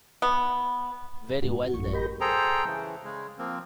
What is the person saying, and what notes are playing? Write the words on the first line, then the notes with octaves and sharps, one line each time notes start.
Very well, then.
B3
F#1 G#2 F#4
A1 F#2 A3 C#6
G4 A#4 D#5 B5 G6 A#6
G#4 A4 C5 G5 A#5
C#3 E3
C#3 G#3
F3 A#3 C4